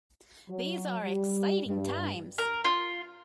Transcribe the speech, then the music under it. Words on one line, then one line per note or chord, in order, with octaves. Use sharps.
These are exciting times.
F#3
G3
G2
A#4
F4